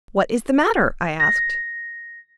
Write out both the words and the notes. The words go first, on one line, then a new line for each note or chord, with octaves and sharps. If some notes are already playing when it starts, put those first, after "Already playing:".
"What is the matter?" I asked.
A#6